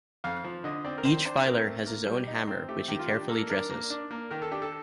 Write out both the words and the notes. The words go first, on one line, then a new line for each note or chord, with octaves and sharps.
Each filer has his own hammer which he carefully dresses.
F2 F5
F3
D3 D#5
C4 D5
A#4
D#3 C5
D4 C5
C4 A#4
A3
A#3
G3
D#4
C4
A3 G4
D#3 G4
F4
D4 G4
A#3 A4
D4 A#4
A#3
D4
A#3
D#3 A#4
A4
D4 G4
A4